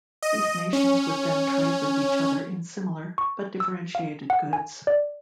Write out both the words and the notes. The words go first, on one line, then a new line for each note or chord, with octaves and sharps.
These nations would then trade with each other in similar, but differentiated goods.
D#5
C#4
C#6
E6
F5
F#5
G#5
D5